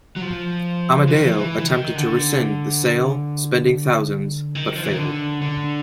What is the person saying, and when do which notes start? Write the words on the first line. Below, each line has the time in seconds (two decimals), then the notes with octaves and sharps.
Amadeo attempted to rescind the sale, spending thousands, but failed.
0.16 F#3
0.22 F3
1.08 E3
1.16 F3
1.23 E3
1.33 F3
1.37 E3
1.59 E3
1.67 D#3
1.95 D3
4.55 D#3
4.75 F3
4.82 E3
4.90 D#3
4.98 D3
5.42 D3